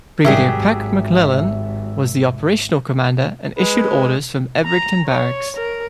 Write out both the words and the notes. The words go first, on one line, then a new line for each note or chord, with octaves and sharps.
Brigadier Pat MacLellan was the operational commander and issued orders from Ebrington Barracks.
G#1 D#3 F#3 G3 G4 G#4 E5
G#3 B4
A#5
C#5
A#4